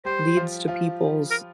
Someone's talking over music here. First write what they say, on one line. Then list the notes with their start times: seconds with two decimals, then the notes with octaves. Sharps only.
leads to people's,
0.05 G3 G4 C5
0.37 F3 F4
0.68 F3 F4
1.31 A#4